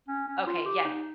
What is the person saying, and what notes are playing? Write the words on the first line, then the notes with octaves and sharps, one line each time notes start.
Okay, yay.
C#4
C#4
F4
G4
D#4